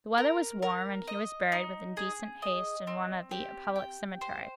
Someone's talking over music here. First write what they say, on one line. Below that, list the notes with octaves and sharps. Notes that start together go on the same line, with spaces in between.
The weather was warm, and he was buried with indecent haste in one of the public cemeteries.
A#4
A#4
D#5
D#4
G#4
D#5
C4
G4
G5
C5